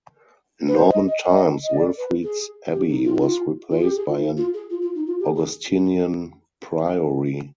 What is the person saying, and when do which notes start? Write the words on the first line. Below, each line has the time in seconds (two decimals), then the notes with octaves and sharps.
In Norman times Wilfrid's abbey was replaced by an Augustinian priory.
0.68 B4
0.75 C5
0.91 D#5
1.08 D#5
1.24 D#5
1.64 D#5
1.74 D5
1.98 B4
2.23 G#4
2.73 G4
2.89 D#4
3.05 F4
3.15 D#4
3.22 F4
3.71 F4
3.79 G#4
3.83 G4
3.96 G#4
4.09 F4
4.20 D#4
4.37 F4
4.54 G#4
4.70 F4
4.82 F4
4.95 D#4
5.07 F4
5.20 G4
5.36 G#4